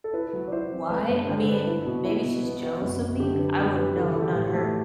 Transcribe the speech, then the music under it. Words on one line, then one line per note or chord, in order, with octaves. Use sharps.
Why? I mean, maybe she's jealous of me. I wouldn't know; I'm not her.
A4
E4 B4
F#3
D5
E4 C5
C4
A3 B4
G2 C5
D3 C5
A4
D4 B4
E4
B2
E4
B2
B3
B3
F#2
F#2
D3 G4
D3 B4
F#2
G3 B4
E3 A4
E3 A4
G4
A2
F#4
A3